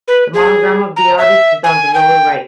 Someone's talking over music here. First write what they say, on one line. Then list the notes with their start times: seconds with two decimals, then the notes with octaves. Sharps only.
The monogram of the artist is on the lower right.
0.08 B4
0.34 G#4
0.96 A#5
1.18 E5
1.64 G#5
1.94 G5